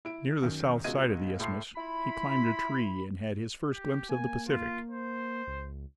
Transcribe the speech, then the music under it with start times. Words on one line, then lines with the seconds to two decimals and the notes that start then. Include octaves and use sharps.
Near the south side of the isthmus he climbed a tree and had his first glimpse of the Pacific.
0.05 E4 D7
0.42 F#2 D#3
0.84 C#2 B2 F4 D#5 G#6 D#7
1.40 A2 A4 C6 C7
1.76 E4 F4 B5
3.72 G4
4.09 A#3 G#5
4.47 F4
4.90 C5
5.47 C#2